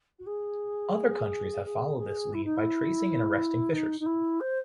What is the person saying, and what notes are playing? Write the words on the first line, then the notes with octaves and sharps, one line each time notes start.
Other countries have followed this lead by tracing and arresting phishers.
F#4
G#4
G#4
G#4
E4
D#4
E4
D#4
D#4
E4
C5